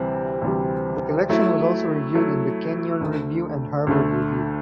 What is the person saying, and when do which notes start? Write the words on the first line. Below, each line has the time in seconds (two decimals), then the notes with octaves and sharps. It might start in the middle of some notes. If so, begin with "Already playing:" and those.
The collection was also reviewed in "The Kenyon Review" and "Harvard Review".
Already playing: D2 C3 E3 G3 C4
0.42 D2 C3 E3 G3 C4
1.29 F#3 A3 E4
2.15 F#3 A3 E4
3.01 D2 D3 A3
3.87 D2 D3 A3